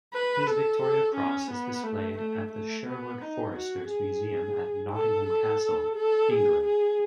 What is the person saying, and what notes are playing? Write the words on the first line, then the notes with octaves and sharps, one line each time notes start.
His Victoria Cross is displayed at the Sherwood Foresters Museum at Nottingham Castle, England.
B4
A4
A4
C#4
B3
A3
A3
A3
B3
D#4
F#4
G#4
A4
A4
A4
G#4
G#4